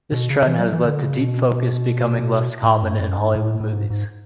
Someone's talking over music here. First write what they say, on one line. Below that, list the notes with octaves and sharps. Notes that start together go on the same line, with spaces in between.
This trend has led to deep focus becoming less common in Hollywood movies.
B2
C#3
E3
F#3
E3
D3
C#3
B2
A2
F#2
G#2
F#2
G#2
A2
A2
G#2
G#2